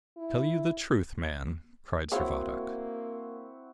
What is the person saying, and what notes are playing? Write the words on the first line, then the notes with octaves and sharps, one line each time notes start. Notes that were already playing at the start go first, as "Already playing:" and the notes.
"Tell you the truth, man!" cried Servadac.
E4
A#3 C4 E4 F#4 G#4 C#5 F5